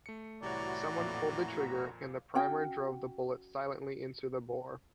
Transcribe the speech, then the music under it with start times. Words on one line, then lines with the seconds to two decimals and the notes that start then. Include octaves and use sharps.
Someone pulled the trigger and the primer drove the bullet silently into the bore.
0.06 A3 C#7
0.42 C2 A2 E3 F#4 G4 C#5 D5 A#5
0.98 F2 A#2
2.35 C#4 F#4 G5